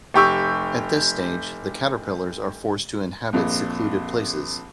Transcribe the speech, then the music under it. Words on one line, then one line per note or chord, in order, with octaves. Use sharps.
At this stage, the caterpillars are forced to inhabit secluded places.
F1 G4 C#6 E6
A#1 F2